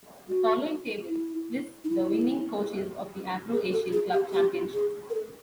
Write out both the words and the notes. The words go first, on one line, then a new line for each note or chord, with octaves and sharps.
The following table lists the winning coaches of the Afro-Asian Club Championship.
F#4
E4
D#4
E4
G#4
A4
G#4
G4
G4
G#4
A#4
A4